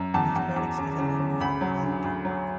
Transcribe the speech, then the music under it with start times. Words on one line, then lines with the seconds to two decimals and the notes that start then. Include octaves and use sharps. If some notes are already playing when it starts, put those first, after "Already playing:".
Mathematics is the language of reality.
Already playing: F#2
0.14 E2 A5
0.36 E2
0.56 E2
0.78 C#3
0.98 C#3
1.19 C#3
1.40 D2 B5
1.61 F#3
1.83 D3
2.04 D2
2.25 F#3